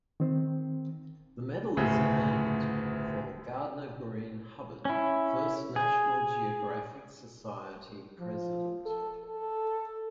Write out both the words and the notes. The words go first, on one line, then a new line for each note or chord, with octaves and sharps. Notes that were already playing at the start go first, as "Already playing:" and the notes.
The medal is named for Gardiner Greene Hubbard, first National Geographic Society president.
D#3 C4
G1 D2 A2 C#3
C#4 E4
G#4
F3
A4
A4